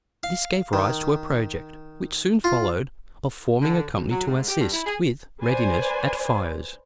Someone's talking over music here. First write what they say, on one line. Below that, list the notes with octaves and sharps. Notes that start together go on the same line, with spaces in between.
This gave rise to a project, which soon followed, of forming a company to assist, with readiness, at fires.
F5
D#3
F4
D3
D2
F#3
G#2
G4
G2
E4
G#4
B4 C5 D5 G#5